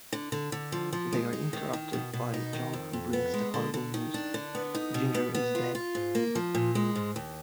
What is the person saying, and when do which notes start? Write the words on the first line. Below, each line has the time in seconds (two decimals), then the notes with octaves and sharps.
They are interrupted by John who brings the horrible news - Ginger is dead.
0.13 D3
0.32 D3
0.52 D3
0.72 F3
0.93 F3
1.13 G#3
1.33 D#4
1.53 D#3
1.73 D#3
1.93 B2
2.13 B2
2.34 D#4
2.53 D#3
2.73 F2
2.93 F2
3.13 B3
3.34 G#3
3.54 D3
3.74 D3
3.94 D#3
4.14 D4
4.34 D3
4.55 B3
4.75 D#4
4.94 B2
5.15 B3
5.35 B3
5.55 F4
5.75 F4
5.95 G#2
6.15 A#3
6.35 F3
6.55 A#2
6.75 G#3
6.95 G#2
7.16 D#2